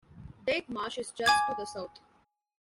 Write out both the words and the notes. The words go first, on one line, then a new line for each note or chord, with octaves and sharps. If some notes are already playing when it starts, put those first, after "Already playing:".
Dyke Marsh is just to the south.
G#5 D6 G#6